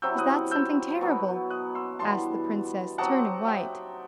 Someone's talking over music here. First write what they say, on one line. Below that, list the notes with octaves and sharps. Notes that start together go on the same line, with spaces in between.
"Is that something terrible?" asked the princess, turning white.
C3 F#3 C4 E4 E6 G6
D#6 F#6
E6 G6
B2 F#3 B3
D#6 F#6
C6 E6
G2 E3 G3 B3 A5 C6
F#3 C4 D#4 G4 F#5 A5
E5 G5